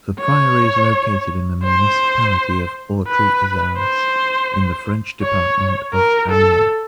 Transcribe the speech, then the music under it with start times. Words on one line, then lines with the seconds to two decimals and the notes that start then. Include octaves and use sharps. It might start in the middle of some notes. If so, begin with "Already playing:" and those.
The priory is located in the municipality of Autry-Issards, in the french department of Allier.
0.20 C#5
1.64 C5
3.07 B4
3.78 C5
5.22 C#5
5.94 A#4
6.30 A4